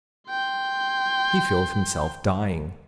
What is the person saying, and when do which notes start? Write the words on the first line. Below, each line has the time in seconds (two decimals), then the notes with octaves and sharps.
He feels himself dying.
0.30 G5 C6